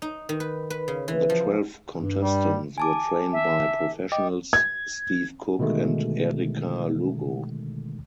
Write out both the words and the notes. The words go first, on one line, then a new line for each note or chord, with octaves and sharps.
The twelve contestants were trained by professionals Steve Cook and Erica Lugo.
D#4
D#3
B4
B4
C#3
E3
F3
G2
G3
G#5 A5 D6
E5
D#5 G5 D6
G#6
B2 D3 D#3 G#3 A3